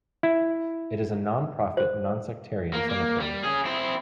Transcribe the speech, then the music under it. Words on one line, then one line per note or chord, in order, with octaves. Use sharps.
It is a non-profit, non-sectarian cemetery.
E4
C5
A#3
A#3
G3
C#4 G#4
C4 E4